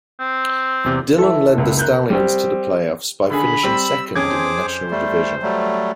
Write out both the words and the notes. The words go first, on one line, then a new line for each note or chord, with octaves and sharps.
Dhillon led the Stallions to the playoffs by finishing second in the National Division.
C4
E2 C3 G4
E3 A4 E5
F#1 C#2
A#4 F#6 G6
G3 C4 G4
D3 D#3 G#4 B5
G3 C4 E6
F2 C#4 G#4 C5 D6 G#6
G3 A3
F#3 G3 A3